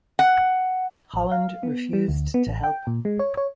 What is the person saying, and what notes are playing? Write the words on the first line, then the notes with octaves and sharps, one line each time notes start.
Holland refused to help.
F#5
A1
F5
B3
G3
D2
B3
A1
G5
A#2
G#3
C#5
C#5